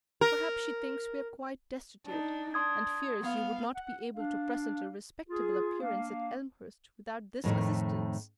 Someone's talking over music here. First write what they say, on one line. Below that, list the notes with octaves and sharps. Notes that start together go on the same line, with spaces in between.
Perhaps she thinks we are quite destitute, and fears you would not be able to present a respectable appearance at Elmhurst without this assistance.
A#4
D4 D#4
D4 C6 D#6 G#6
B3 F5
F#5
D4 F5
F4 G#4
A#3 D4 F5
F2 A2 D#3 A3